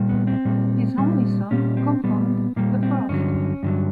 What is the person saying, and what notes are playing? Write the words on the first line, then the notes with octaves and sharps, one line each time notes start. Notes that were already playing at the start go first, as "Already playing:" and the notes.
His only son, Compton the First.
Already playing: A#2 G3
B3
C4
A#2 G3
A#2 G3
A#2 G3 C#4
C4
A#2 G3 B3
A#2 G3 A#3
C4
G2 D3 F#3 C#4
G2 D3 F#3